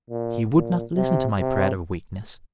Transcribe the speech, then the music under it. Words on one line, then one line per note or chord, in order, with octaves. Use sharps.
He would not listen to my prayer of weakness.
A#2
A#2
C3
C3